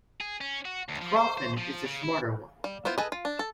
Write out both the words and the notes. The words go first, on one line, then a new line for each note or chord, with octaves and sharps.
Proffen is the smarter one.
G#4
C#4
F#4
D2
F3
C5
C5
F3
C#3
E4
G3
B3 E4 F4 C5
G#4 A4 B4 D#5
F4
D4
A4